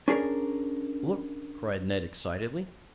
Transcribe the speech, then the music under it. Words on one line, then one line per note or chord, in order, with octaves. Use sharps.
"Look!" cried Ned excitedly.
C#4 D4 G#4 A#4